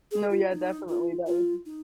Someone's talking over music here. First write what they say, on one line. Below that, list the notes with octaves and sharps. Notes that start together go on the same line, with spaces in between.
No, yeah, definitely. That would
G#4
F4
D#4
F4
F4
D#4